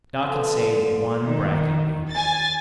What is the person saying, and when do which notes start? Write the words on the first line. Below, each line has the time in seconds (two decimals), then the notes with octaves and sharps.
Doc had saved one bracky weed.
0.22 D3 F3 B3
1.25 D#3
2.11 G#5 A6